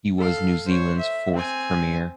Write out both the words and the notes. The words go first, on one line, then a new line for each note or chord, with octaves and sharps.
He was New Zealand's fourth Premier.
A4 F5
C5 C#5
E5
C4 G#5